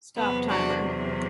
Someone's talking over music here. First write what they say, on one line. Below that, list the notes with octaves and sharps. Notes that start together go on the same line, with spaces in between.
Stop timer.
E2 C3 F#3 B3
D4 F#4